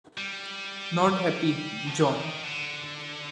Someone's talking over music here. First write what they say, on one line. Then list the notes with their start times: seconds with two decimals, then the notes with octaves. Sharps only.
'Not happy, John!
0.18 G3
1.87 F3
2.14 D#3
2.43 D3